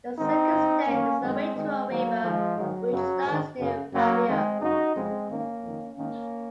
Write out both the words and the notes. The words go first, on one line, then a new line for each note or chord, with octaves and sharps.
The second stem is the Waitoa River, which starts near Piarere.
G#2 D#3 C4 D#4
F#2 C#3
F#2 D#3 A#3 C#4
F#2 D#3 G#3 C4
G#2 D#3 G#3 C4
G#2 D#3 F#3 A#3
G#2 D#3 F3 G#3
G#2 D#3 F#3
F#2 C#3 F#3
G#2 D#3
F#2 C#3
F#2 C#3 F#3 A#3
F2 D#3 G#3 C4
F#2 C#3 D#4 F#4
F2 C#3 G#3 C4
G#2 D#3 A#3 C#4
F2 D#3
G#2 D#3 A#3 C#4